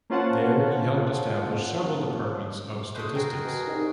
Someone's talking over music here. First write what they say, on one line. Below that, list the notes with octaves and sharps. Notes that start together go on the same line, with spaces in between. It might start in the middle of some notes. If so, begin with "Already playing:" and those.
There he helped establish several departments of statistics.
A#3 C#4 F4 C5 F#5 A5
G#3 A3 B4 C5 E5 D#6
F#4 G#4 A#4 G5 G6
B2
C2 D#4